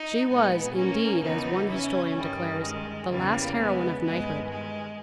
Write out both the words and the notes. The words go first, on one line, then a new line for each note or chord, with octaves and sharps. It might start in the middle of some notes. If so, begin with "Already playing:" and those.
She was, indeed, as one historian declares, the last heroine of knighthood.
Already playing: D#4
A#2 G#3 B3
A#3 C#4
E2 C#3 E3 B3 D#4
C#4 E4
G2 D#3 G3
G#3
E2 C#3 E3 G3 A#3
G#3 B3
G2 D#3 G#3 B3
G#3